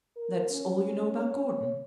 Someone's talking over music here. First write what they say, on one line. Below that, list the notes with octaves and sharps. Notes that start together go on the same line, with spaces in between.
"That's all you know about Gordon?"
A#4
C#4
C#5